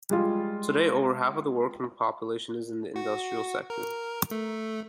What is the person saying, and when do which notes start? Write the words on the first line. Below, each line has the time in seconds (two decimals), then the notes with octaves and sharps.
Today over half of the working population is in the industrial sector.
0.10 G3 G#3 F4
2.96 F#4
3.70 A#4
4.31 A3